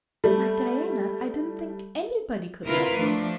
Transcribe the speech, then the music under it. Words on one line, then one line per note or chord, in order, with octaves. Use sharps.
Why, Diana, I didn't think anybody could love me.
G3 A3
C3 E4 F4 A#4 B4 F5
F3 A3 D4